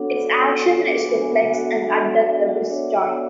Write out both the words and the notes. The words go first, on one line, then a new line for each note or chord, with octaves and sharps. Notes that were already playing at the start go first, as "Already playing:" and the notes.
Its action is to flex and adduct the wrist joint.
Already playing: B3 D4 F#4 A4 C#5 F#5
B3 D5
B3 G#5
F#4
D4
B3
G#5
B3 F#5
F#4
D4 E5
B3
B3 D5
F#4
D4 C#5
B3